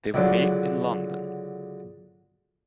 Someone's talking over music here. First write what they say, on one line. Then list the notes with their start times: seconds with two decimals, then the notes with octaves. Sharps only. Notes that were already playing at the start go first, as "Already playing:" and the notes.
They were made in London.
0.14 C#2 D3 F#3